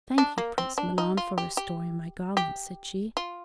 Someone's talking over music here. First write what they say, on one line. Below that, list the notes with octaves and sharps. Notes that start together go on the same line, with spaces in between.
"Thank you, Prince Milan, for restoring my garment," said she.
D4
A#3
C4
D4
D#4
F4
G4
G4
G4
F4